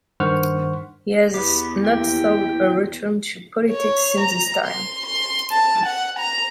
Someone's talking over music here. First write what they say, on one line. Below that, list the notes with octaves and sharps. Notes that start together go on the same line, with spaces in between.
He has not sought a return to politics since this time.
G2 D#3 C5 F#5 C#6 F6
E2 B3 G4
E4 G5
C#5
A#5
C6
C6
A5
F#5
A#5